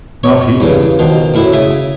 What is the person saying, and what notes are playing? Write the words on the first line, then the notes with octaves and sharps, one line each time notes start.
Not he!
C#5
E2 G2 C#3
B2 D#3 F3
F#2 A2 E4
C#3 E5 D#6